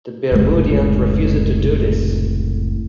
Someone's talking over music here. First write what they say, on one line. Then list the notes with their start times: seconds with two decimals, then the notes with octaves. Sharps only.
The Bermudians refused to do this.
0.32 F1 C#2 A2 G#3